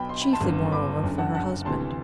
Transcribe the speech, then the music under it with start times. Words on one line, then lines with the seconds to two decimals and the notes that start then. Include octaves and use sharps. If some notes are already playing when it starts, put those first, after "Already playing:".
Chiefly, moreover, for her husband.
Already playing: B1 B2 G5 B5
0.09 C6
0.21 B5
0.33 A5 C6
0.41 G1 F#2 D3
0.72 B5 D6
1.03 F#1 F#2 D3
1.18 F#5 A5
1.35 F#5 A5
1.65 D2 C3 E3 A5 C6